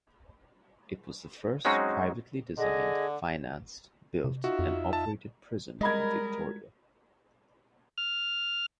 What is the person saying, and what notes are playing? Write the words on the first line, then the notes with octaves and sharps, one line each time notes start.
It was the first privately designed, financed, built and operated prison in Victoria.
F#3 G#3 C4 C#4 D#4 F#4
D3 G#4 D#5
C3
D#4 F4 F#4 E5
F2
A5
G3 G#3 A#4 D#5 B5 G#6
F6